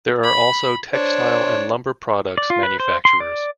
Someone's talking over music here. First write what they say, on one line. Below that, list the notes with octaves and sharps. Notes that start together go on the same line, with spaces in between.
There are also textile and lumber products manufacturers.
B5
D4 C5 C#5
D5
F4
B4
C5
C6
D5